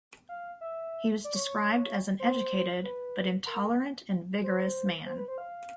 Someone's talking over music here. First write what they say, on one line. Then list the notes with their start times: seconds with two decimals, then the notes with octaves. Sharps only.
He was described as an educated, but intolerant and vigorous man.
0.29 F5
0.61 E5
1.24 D5
1.35 C#5
1.46 C#5
2.20 C5
2.84 B4
3.47 A#4
4.43 C5
5.06 C5
5.17 B4
5.28 C5
5.38 F5